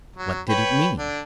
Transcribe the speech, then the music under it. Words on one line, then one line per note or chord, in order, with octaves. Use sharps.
What did it mean?
F#3
B4 C#5 G5
D3 D4